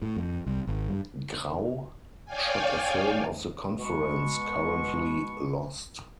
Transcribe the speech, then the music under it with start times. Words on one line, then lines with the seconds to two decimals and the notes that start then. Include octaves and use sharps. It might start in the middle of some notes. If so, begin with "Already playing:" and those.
Grau shot a film of the conference, currently lost.
0.02 A2
0.17 F2
0.46 C2
0.67 G#1
0.89 G2
2.26 C#5 D5 F5 G5 G#5
3.79 B2 G#3 C#6